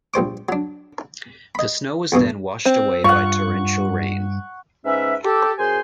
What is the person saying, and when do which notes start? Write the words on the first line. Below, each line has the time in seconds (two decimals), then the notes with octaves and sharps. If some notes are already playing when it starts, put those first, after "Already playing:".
The snow was then washed away by torrential rain.
0.14 A#1 G3 C5 D6
0.49 F#3 D4
1.55 D#5 B5
2.12 E2 G2 B2 E3
2.65 C4
3.04 G2 F4 F#5 C#6
4.85 G#2 C#4 B4 E5
5.24 G4 A4
5.59 F#2 G#4 C5 G#5 C6